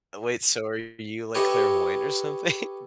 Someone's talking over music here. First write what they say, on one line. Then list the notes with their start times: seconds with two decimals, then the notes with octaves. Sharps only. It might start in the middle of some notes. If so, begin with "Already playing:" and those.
Wait, so are you, like, clairvoyant or something?
1.35 G4 A4 B4 C#5 D#5 E5